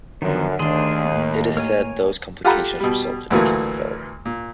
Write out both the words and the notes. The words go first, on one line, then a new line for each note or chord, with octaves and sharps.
It is said those complications resulted in kidney failure.
F#2 D3 D#3 F3 B3
D#2 D#3 A3 D4 G#4 C6
A2 A#3
A#4 C#5 G#5
F4 G4 A4 F#5 A#5 B5
B2 G3
D2 A#2 E3 F#3 A3 A#3
A#2